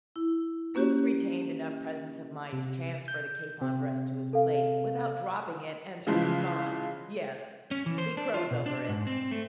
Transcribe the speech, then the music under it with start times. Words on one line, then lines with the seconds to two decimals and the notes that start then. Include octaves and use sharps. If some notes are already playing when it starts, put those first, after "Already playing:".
Bibbs retained enough presence of mind to transfer the capon breast to his plate without dropping it and to respond, "Yes--he crows over it."
0.16 E4
0.75 A#3 C#4 F#4 G4
2.53 C3
3.08 G6
3.61 C3 C4
4.33 A4 F5
6.07 C#3 E3 F3 G#3
7.71 C#4
7.86 E3
7.98 C5
8.17 D4
8.34 F4
8.51 B2
8.66 D4
8.89 G#2
9.07 C4
9.31 A3